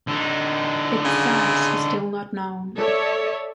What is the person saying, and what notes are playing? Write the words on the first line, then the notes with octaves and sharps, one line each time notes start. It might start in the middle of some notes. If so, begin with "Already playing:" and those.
Its size is still not known.
D3 D#4
C#3
A4 C#5 D5 E5